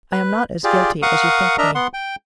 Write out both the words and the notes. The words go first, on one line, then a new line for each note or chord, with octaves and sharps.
I am not as guilty as you think me.
B4
F4 G4 G#4 D5
A#4 F5 F#5 C#6 D#6
D4 A#4 D#5 E5 A#5
B3 F#5 C6
G5